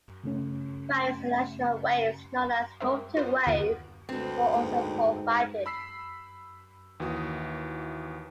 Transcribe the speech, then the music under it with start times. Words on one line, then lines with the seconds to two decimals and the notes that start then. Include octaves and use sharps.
Various additional "waves" known as "multiwave" were also provided.
0.24 C#3 A3 C#4
2.80 G#3 C4 A#4 C5 E5
3.17 F4 B4 C5
3.47 D#2 D3 B3 F4 F#5 D7
4.09 D2 G#3 B3 C4
4.53 G#2 A#3 B3 G5
5.66 B5 E6 B6 C7
7.00 D#2 E3 F#4 D#6